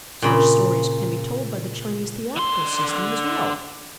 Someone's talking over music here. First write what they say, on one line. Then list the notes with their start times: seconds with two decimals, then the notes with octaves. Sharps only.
Such stories can be told by the Chinese theatrical system as well.
0.22 A#2 C#3 B5
2.36 D3 C6